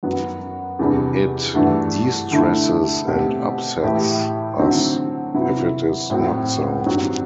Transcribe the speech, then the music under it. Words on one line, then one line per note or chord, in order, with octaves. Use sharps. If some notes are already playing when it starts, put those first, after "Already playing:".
It distresses and upsets us if it is not so.
F#2 F#3 B3 F#4
E2 C3 E3 G3 D4
G2 E3 A3 D4 F#4
D3 A3 E4
B2 A3 C4 G4
A2 E3 A3 E4 G4
D3 F#3 A3 C4
C3 F#3 B3 E4
A2 F#3 C4 F#4
G2 F#3 C4 F#4